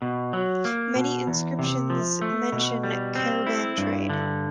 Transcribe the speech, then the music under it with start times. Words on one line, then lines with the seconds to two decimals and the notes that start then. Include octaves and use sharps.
Many inscriptions mention caravan trade.
0.02 B2
0.33 F#3
0.65 A#3
0.96 B2
1.27 E2
1.59 C3
1.90 F3
2.22 A3
2.52 B2
2.83 G3
3.15 C4
3.47 E4
3.78 G2
4.09 D3